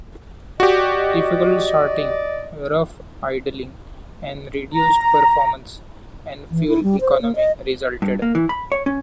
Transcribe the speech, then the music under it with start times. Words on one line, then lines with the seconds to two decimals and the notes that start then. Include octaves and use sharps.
Difficult starting, rough idling, and reduced performance and fuel economy resulted.
0.60 F#4 G4 D5 D#5
4.73 A#5
6.51 E3
6.68 E4
6.83 G3
7.01 C5
7.21 A#3
7.36 D#5
8.02 G2
8.22 A#3
8.35 E3
8.49 B5
8.72 C#5
8.86 C#4